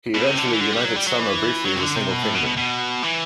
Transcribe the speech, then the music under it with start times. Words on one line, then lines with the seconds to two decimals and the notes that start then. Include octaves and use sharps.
He eventually united Sumer briefly as a single kingdom.
0.15 B2
0.27 C3
0.38 D3
0.53 E3
0.61 D3
0.72 G3
0.85 F#3
0.96 G3
1.07 F#3
1.19 E3
1.65 F#3
1.75 C3
1.80 D3
1.96 C3
2.10 B2
2.23 A2
2.34 B2
2.46 B2
2.57 B2
3.03 E3